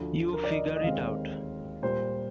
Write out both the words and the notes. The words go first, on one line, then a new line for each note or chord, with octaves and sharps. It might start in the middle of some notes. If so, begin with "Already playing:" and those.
You figure it out.
Already playing: D2 D3 F3
A#4
D5
D#5
D#5
D#5
D#2 D#3 G#3 C4 F5
A#2 G3 C5